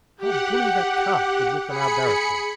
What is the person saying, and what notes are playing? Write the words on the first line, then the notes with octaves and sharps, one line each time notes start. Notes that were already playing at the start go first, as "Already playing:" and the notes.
"How bully that cart would look on our barricade!"
G4 F#5
G#4 B5 C#7